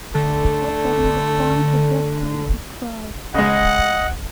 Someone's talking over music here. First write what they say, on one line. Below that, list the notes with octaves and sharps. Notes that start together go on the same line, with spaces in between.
"But that is a fine suggestion," he cried.
D3 A3
C#3 G#3 D#5 F#5